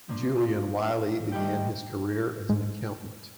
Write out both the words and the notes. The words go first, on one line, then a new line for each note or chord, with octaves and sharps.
Julian Wylie began his career as an accountant.
F3 A#3 D4
D2 D#3 G3 G4 B4 G5
G#2